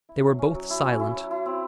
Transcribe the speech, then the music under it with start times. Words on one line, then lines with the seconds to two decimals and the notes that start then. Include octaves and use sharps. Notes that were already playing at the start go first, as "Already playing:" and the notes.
They were both silent.
0.09 E4
0.24 F#3
0.39 C#4
0.55 F#3
0.70 E4
0.84 C#4
1.00 E4
1.14 F#3
1.31 E4
1.46 C4